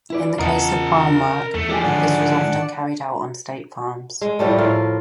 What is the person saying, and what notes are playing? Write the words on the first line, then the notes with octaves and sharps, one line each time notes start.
In the case of farm work, this was often carried out on state farms.
E4 B4 D5
E2 C#3 F4 A#4 D#5 F#5 A5 A6
E2 A3
F3 G#3 D4 G4 A4 F5 G#5 G6
G#2 D3 D#3 D4 D5 F#5 G#5 A5
G#3
A2 F3 G3 A3
A2 F4 A#4